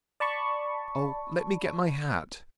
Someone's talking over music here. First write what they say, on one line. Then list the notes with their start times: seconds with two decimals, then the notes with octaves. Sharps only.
"Oh--let me get my hat!"
0.20 D5 A5 B5 C#6